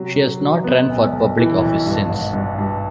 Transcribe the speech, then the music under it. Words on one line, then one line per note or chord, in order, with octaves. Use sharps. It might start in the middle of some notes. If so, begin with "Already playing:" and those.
She has not run for public office since.
Already playing: C3 F#3
F#3
F#3
B3
B1
B1
E3
B1
G2
G#1
G2
G2